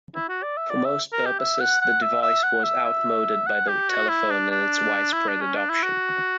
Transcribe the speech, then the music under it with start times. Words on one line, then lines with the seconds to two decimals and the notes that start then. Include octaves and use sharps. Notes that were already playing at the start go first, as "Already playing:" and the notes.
For most purposes, the device was outmoded by the telephone and its widespread adoption.
0.15 E4
0.29 F#4
0.43 D5
0.57 E5
0.70 D5
0.85 E5
1.13 A#4
1.26 G4
1.39 E5
1.61 F#5
1.81 F#5
2.02 E5
2.22 E5
2.44 F#5
2.64 E5
2.85 E5
3.47 F#5
3.68 G4
3.89 F#4
4.09 E4
4.31 D4
4.51 D4
5.13 E4
5.28 D4
5.41 C#4
5.56 D4
5.69 E4
5.83 F#4